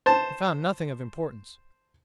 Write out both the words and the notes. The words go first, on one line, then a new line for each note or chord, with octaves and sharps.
They found nothing of importance.
C5 A5